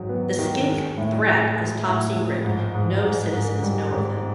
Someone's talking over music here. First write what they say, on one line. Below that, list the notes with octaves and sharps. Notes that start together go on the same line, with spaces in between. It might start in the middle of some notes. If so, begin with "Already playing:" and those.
The Skink Threat is top secret, no citizens know of them.
Already playing: G#2 D#3 F#3
B3
D#3
G#3
A2
G#3
G#3
A2
F3
G#2
G#2
G#2
G#2
G3
G#2